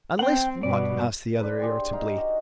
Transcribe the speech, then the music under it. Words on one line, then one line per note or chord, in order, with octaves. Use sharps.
"Unless what?" asked the other, irritably.
C4 F#5 G5
G2 B2 D5
D4 B4
G4 G#4 C5 G5
D#4 F5
F#4 D#5